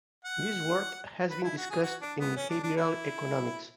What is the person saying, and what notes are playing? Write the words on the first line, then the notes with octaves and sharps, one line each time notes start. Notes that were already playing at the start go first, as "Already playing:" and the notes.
This work has been discussed in behavioral economics.
F#5
B4
E4
F#4
G#4
F#4
D4
B3
C#4
D4
D4
E4